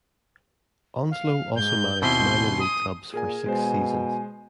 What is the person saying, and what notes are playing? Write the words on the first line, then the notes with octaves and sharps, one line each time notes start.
Onslow also managed minor league clubs for six seasons.
F5
G#2 G6
D#2 B2 C4 E4 G#5 C6 G6
D#6
A#2 G#4 A#4 G#5
B2 G#3 C5 G#5